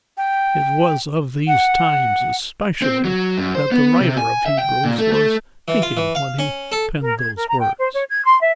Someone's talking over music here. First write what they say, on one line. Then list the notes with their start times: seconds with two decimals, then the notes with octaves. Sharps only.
It was of these times especially that the writer of Hebrews was thinking when he penned those words.
0.17 G5
1.47 F#5
2.82 C4
3.05 F#3
3.38 F#2
3.55 C5
3.72 B3
4.00 C3
4.18 G#5
4.46 E5
4.59 G5
4.84 A#2
4.99 A3
5.12 A3
5.68 E3
5.82 F4
5.97 E3
6.15 F5
6.39 C#4
6.72 A4
7.02 A#4
7.18 G#6
7.36 A#4
7.48 A#5
7.60 G5
7.78 C5
7.94 C#5
8.09 G#6
8.24 C6
8.40 E5